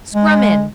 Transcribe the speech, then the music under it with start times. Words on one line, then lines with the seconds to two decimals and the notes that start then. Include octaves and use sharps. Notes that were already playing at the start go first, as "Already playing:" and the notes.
Scrum in.
0.15 G#3